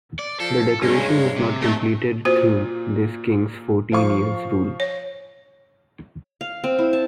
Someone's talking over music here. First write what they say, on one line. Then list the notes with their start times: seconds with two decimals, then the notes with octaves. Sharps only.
The decoration was not completed through this king's fourteen years rule.
0.19 D5
0.40 F3 A4
0.82 G2 G#3 C#4 D#4
1.36 C3
1.62 C3 A3 D#4 A4
2.25 A#2 F#4 C5
3.92 F3 F5 C#6
4.80 C#5
6.41 F5
6.64 C4
6.79 E4
6.93 A5